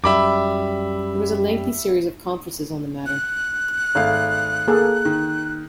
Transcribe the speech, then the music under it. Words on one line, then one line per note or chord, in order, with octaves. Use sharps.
There was a lengthy series of conferences on the matter.
F#2 G3 E5 B5 D6
F#6
G#1 A3 F5
A#3 G#4 A4
D#3